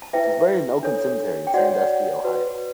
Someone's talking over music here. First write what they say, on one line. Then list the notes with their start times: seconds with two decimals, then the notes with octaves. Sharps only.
She is buried in Oakland Cemetery in Sandusky, Ohio.
0.02 A5
0.13 E4 B4 E5 G5
0.83 D4 A4 C#5
1.47 G5
1.54 F#4 C#5 D5 F#5
2.24 F#4 B4